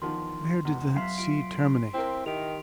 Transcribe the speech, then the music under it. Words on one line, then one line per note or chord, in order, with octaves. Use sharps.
Where did that sea terminate?
E2 D#3 F3 C6
E1 E2
F#3 E5 F5 C6 B6 C7
F4 D7
C4 E4 A#4
D#3 G4 D7 F7